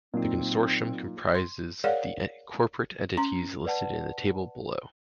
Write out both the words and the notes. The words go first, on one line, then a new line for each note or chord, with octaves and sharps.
The consortium comprises the corporate entities listed in the table below.
A#2 F#3 C4 D#4
C6
G#4 A#4 C#5 D5 F5 F#5
C#4 A#5 C6
B4 D5 F#5 A5